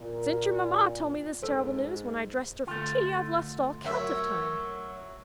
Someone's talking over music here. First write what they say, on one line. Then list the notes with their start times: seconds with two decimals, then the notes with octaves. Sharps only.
'Since your mamma told me this terrible news, when I dressed her for tea, I've lost all count of time.
0.01 A#2
1.43 G#2 A4 C5
2.67 D3 A3 F4
3.85 F#3 A#4 C#5 E5